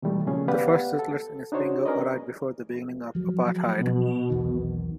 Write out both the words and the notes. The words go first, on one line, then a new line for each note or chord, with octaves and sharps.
The first settlers in Isipingo arrived before the beginning of Apartheid.
B2 D#3 E3 G3 A3
A#2 C#3 F3 A3 C#4 G#4
B3 G4 B4 D5 F5 F#5
A4
D4 D#4 F#4 C5 C#5
C#4 G#4 A#4 B4 D5 D#5
F3 F#3
B2
B1 E2 D#3